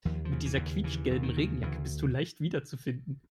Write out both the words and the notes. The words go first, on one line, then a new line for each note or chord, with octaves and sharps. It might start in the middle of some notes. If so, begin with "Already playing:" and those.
Mit dieser quietschgelben Regenjacke bist du leicht wiederzufinden.
D#2 F3
F3
C#3
E3
D#2
C#3 E3
D#2
D#3
C#3
D2 E3